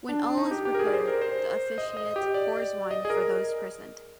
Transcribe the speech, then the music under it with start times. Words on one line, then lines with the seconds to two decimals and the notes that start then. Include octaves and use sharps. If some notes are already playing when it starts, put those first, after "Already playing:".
When all is prepared, the officiant pours wine for those present.
0.09 D4
0.23 D4
0.37 D#4
0.51 G4
0.65 G4
0.75 A#4
0.79 G#4
0.87 D5
0.93 C5
1.08 A#4
1.22 C5
1.78 D#5
1.97 D#5
2.16 G4
2.34 D5
2.91 D#5
3.05 G#4
3.10 A#4